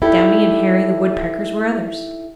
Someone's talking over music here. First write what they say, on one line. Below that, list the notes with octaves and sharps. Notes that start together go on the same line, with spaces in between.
Downy and Hairy the Woodpeckers were others.
D#4 E4 G4 A4 D5